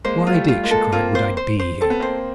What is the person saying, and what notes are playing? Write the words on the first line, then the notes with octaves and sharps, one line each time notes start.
"Why, Dick," she cried, "would I be here?"
G#3 A#3 C5
F4
G3 A3
F4
G#3 A#3
A4
A#3 C4 F4
C5
C5
C5
C4 A4
B3
A#3 C4 C5